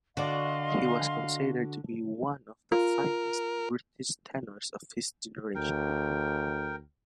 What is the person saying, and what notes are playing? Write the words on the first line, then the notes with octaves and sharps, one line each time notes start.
He was considered to be one of the finest British tenors of his generation.
D3 F#4 D5 D#5 F5 C6
F4 A#4
D2 A#4 G5